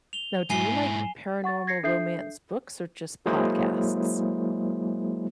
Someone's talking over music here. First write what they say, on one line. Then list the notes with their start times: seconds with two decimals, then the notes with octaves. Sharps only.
Now, do you like paranormal romance books or just podcasts?
0.13 F7 G7
0.50 G#2 E4 G#5 C7 G7
1.44 F#5 C#6 A6
1.67 G#6 A#6 C7 C#7
1.83 D4 A4 E5 G6 C7
3.26 F#3 G#3 A#3 E4 G#4 C5